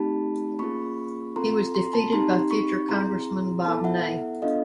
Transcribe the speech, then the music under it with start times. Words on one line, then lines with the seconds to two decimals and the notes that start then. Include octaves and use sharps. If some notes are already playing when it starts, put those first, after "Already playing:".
He was defeated by future Congressman Bob Ney.
Already playing: A3 C4 D#4 G4 A5 B5
0.59 A#3 C#4 F4 G#4 B5 C#6
1.36 C4 F4 A4 A#5 C6
1.74 A#5 C6
1.93 A5 B5
2.12 C4 D#4 G4 A#5 C6
2.51 B5 C#6
2.89 C4 E4 G#4 A#5 C6
3.65 B3 E4 A4 A5 B5
3.84 E5 F#5
4.42 B3 D4 F4 A4 D#5 F5